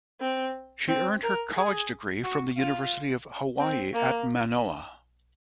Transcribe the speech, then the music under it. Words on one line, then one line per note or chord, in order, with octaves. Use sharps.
She earned her college degree from the University of Hawaii at Manoa.
C4
C4
A#4
G#4
F#4
F4
C4
A#3